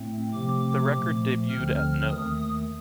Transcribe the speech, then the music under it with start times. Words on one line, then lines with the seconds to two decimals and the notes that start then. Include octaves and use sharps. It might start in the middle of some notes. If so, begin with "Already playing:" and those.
The record debuted at no.
Already playing: A2 A3 C4
0.32 C3 F3 A3 C4 D6
0.91 A#2 F3 A3
1.49 D2 D3 F3 C4 F6
1.78 F6
2.08 D#2 D#3 A3 D#6